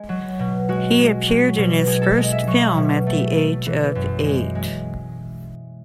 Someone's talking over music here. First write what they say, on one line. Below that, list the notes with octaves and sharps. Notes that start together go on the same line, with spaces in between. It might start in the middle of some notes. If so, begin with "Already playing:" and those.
He appeared in his first film at the age of eight.
Already playing: G#3
F#3
B2
G#3 F#4
G#3
F#3
B2
G#3 G#4
A4
G#3 D#5
E5
F#3 C#6
B2
A3
A3
E3
F#2
G#3
G#3